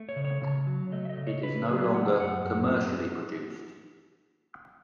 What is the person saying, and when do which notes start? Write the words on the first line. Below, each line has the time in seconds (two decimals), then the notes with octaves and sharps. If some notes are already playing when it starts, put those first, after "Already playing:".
It is no longer commercially produced.
Already playing: A3
0.09 C#5
0.16 C#3
0.25 C#5
0.42 C#3
0.67 F#3
0.92 A3 D#5
1.05 E5
1.09 D#5
1.17 C#3
1.27 C#5
1.43 C#3 B4
1.68 F#3 G#4
1.94 A3 F#5
2.20 F#2 F#5
2.44 F#2